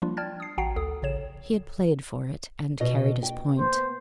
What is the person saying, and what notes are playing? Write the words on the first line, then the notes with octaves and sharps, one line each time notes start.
He had played for it, and carried his point.
F3 G3 A#3 D4 F4
D5 G5 A5 F6 G#6 A6
D#6 C7
A1 F#4 F#5 G5 A#5 C7
D2 A4 D#6
A1 C#3 C#5 E7
B2 D#5
G5
B3 C5